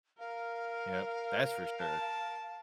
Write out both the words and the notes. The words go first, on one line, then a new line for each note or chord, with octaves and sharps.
Yep, that's for sure.
A#4 F5
A5